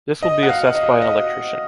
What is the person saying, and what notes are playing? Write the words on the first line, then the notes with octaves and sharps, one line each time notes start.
This will be assessed by an electrician.
D#5
F#5
F5
D#5
D#5